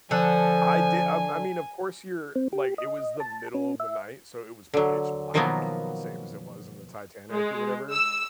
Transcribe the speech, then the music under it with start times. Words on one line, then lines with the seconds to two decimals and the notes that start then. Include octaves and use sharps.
I did I I mean, of course, you're like it was the middle of the night, so it was pitch black, same as it was in the Titanic or whatever,
0.11 D3 F3 A4 F#5 G#5
2.36 C4
2.53 G4
2.78 D#5
3.20 A5
3.55 C#4
3.80 E5
4.74 D3 F#3
5.34 B2 D#3 F3 F#3 A#3 B3
7.33 G#3
7.92 E6